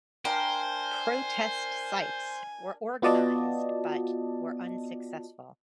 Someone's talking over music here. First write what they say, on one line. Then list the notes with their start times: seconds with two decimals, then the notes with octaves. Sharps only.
Protest sites were organized but were unsuccessful.
0.25 D4 A#4 C5 F5 G5 G#5
3.02 B3 F4 F#4 D5 D#5 A5